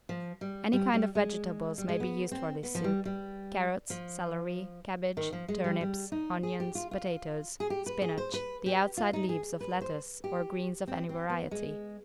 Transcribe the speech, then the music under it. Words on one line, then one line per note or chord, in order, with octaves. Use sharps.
Any kind of vegetables may be used for this soup: carrots, celery, cabbage, turnips, onions, potatoes, spinach, the outside leaves of lettuce or greens of any variety.
F3
G3
G3
G3
G#3
G3
G#3
B3
C4
B3
F3
G3
G3
F3
D#3
F3
G#3
G3
G3
D#4
G#4
G4
F4
F4
G#4
G4
B4
G#4
C5
B4
G4
F4
D#4
G#4
B4
C5
G4
C4
C4
B3
G#3